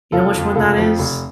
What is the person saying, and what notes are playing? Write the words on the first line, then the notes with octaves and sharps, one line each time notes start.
You know which one that is?
F1 F4 A4
F2 F3
F1 F4 A4
F2 F3
F1